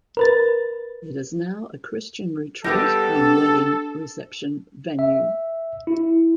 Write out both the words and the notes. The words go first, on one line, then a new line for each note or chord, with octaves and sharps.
It is now a Christian retreat and wedding reception venue.
A#4 B4 A6
G3 B3 G4 A4 G6 A#6
D4
E5
E4